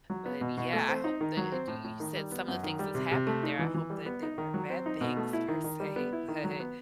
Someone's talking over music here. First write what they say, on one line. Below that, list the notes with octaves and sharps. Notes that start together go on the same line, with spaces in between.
but, yeah, I hope that d y you said some of the things that's happened there, I hope that they weren't bad things per se, but
F#3
B3
B2
B2
A3
C4
D#4
D#3
F#3
C4
A2
A2
D#3
G3
B3
F#2
D#3
G3
C3
C3
A3
D#4
E3
E3
G3
B3
D#4
D#3
F#3
C4
D#4
B2
A3
E4
D#3
D#3
G3
B3
E4
D#3
F#3
B3